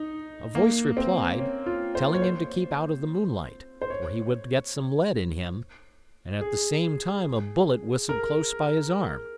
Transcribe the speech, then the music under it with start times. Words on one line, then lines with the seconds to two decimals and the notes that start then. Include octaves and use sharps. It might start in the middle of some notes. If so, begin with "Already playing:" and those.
A voice replied, telling him to keep out of the moonlight or he would get some lead in him, and at the same time a bullet whistled close by his arm.
Already playing: D#4
0.55 A#3
0.97 C4
1.39 C#4
1.66 F4
1.95 C5
2.14 C#5
2.22 C5
3.82 C5
3.90 C#5
6.41 G#4
8.09 A#4